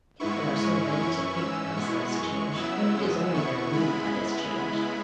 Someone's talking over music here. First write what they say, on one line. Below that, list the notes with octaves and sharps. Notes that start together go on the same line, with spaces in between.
People are so ready to think themselves changed when it is only their mood that is changed!
G#2 G#3 B3 E4 C#6
G#2 G#3 C#4 E4 C#6
F#2 E3 C#4 E4 C#6
G#2 E3 C#4 E6
B2 G#3 B3 E4 C#6
F#2 E3 G#3
C#3 F#3 B3 E4 E6
F#2 C#3 G#3 B3
E2 B2 B3 E4 C#6
C#3 G#3 B3 E4 B5